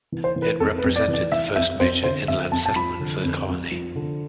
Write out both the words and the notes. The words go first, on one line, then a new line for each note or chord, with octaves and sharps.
It represented the first major inland settlement for the colony.
E3
C5
E3
B4
F2 A4
B4
F2
D5
E3
D5
E3 E5
F2 E5
F2 C5
D3 C5
F2 E5
F2 A5
A5
F3 B5
D3
F2
F2
F3
D3